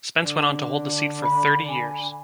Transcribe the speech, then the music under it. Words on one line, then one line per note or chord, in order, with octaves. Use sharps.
Spence went on to hold the seat for thirty years.
D3 D4
B5
G#5